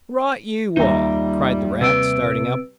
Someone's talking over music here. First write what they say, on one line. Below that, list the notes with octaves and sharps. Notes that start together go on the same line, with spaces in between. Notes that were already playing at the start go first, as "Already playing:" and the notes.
'Right you are!' cried the Rat, starting up.
D#2 G3 A#3 D#4 F4 E5 A#5
C3 B4 E6 D7